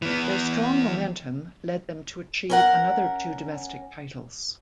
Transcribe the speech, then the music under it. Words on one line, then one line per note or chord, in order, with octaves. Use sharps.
Their strong momentum led them to achieve another two domestic titles.
E3 B3
C#4 A#4 F#5